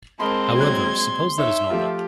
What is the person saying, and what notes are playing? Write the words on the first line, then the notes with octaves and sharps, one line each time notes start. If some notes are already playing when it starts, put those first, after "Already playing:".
However, suppose that is normal.
G#3 C4 A#4 D#5 A5 B5 C6
A#2 F#3 F#6 G#6
D#4 C#5 E5
F3 A3 F4 G4